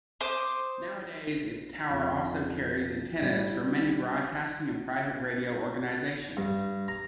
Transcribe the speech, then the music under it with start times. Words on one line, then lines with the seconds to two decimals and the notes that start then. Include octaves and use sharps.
Nowadays its tower also carries antennas for many broadcasting and private radio organisations.
0.21 C5 D6 D#6
1.90 F2
3.22 G3
6.37 G2
6.88 A#5